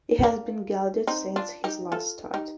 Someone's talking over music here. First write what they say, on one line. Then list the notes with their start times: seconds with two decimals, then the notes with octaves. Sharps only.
He has been gelded since his last start.
0.23 A#3 D4
1.07 C4 D#4
1.36 D4 F4
1.64 D#4 G4
1.92 F4 A4
2.34 D#4 G4